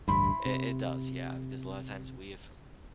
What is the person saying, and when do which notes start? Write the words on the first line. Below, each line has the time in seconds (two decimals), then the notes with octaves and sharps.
It it does, yeah, because a lotta times we've,
0.08 A1 D2 G2 E4 B5 C6
0.45 C3